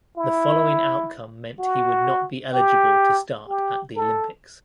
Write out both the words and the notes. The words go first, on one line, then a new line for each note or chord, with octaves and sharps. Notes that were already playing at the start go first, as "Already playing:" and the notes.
The following outcome meant he would not be eligible to start at the Olympics.
E4
F#4
G4
G4
A4